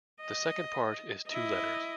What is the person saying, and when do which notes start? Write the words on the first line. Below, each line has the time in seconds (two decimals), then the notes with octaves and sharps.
The second part is two letters.
0.21 D#5
1.28 E4 D#5